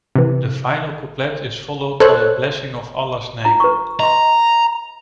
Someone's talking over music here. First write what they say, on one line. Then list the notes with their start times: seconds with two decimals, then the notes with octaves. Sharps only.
The final couplet is followed by a blessing of Allah's name.
0.16 C3 E3
2.00 A4 C5 C#5 F#6
3.45 F4 A#5
3.60 B4 C#6
4.00 D#5 A#5 C6